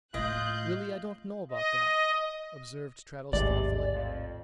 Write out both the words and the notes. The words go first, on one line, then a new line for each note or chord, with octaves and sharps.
'Really I don't know about that,' observed Traddles thoughtfully.
A2 A3 F4 D#5 F#6 G6
D#5
A1 D#2 G#2 C3 G3 G#3 D5
F2